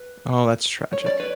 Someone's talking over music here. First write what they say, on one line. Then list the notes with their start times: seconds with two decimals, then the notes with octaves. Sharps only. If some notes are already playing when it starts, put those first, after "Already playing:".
Oh, that's tragic.
Already playing: B4
0.93 C#5
1.06 D5
1.20 B4 C#5